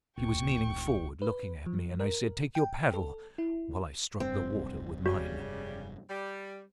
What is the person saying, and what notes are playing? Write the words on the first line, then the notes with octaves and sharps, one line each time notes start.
She was kneeling forward looking at me, and I said, 'Take your paddle,' while I struck the water with mine.
E1 D2 A#2 G5 C#6
B4
F3
A#4
G5
A4
E4
F1 G2 C4
C#3 G3 F#4
G3